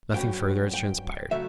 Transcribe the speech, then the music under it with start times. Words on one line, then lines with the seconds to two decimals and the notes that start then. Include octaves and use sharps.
Nothing further has transpired.
0.14 G2 F#3 C#4 G5
0.73 G5
1.31 C#3 F#3 A3 E5